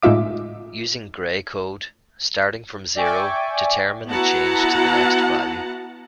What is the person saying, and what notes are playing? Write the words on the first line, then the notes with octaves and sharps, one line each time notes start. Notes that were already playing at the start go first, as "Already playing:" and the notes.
Using Gray code, starting from zero, determine the change to the next value.
A2 G#3 D#4 F4 E5 D6
D5 E5 G5 G#5 C#6 D6
B3 E4 F#4 F#5 A5 A#5